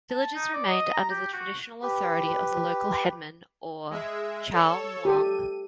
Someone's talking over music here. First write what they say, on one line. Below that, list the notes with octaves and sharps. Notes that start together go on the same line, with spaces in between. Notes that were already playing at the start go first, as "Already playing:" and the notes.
Villages remained under the traditional authority of the local headmen or "chao muang".
A5
D#4
D5
D#5
A#5
G4
F#4
G4 B4
G#3 E5
A4 C#5 E6
G4 A4 D#7